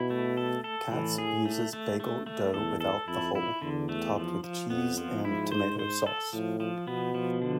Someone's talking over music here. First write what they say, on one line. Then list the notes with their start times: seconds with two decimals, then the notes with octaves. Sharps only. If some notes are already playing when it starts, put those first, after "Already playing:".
Katz uses bagel dough without the hole, topped with cheese and tomato sauce.
Already playing: B2 E4
0.10 A3
0.37 A4
0.64 A4
0.91 A2 E3
1.18 G#4
1.45 A3
1.73 A3
2.00 A3
2.26 A3
2.53 E2 A4
2.80 A4
3.07 F2 E4
3.35 E4
3.62 E2 D3
3.89 A3
4.16 F3
4.44 F3
4.70 F2 B3
4.98 F3
5.25 G#2 E4
5.52 C5
5.79 C5
6.06 A4
6.33 A2 F3
6.60 F3
6.87 B2 B3
7.15 F3
7.42 D3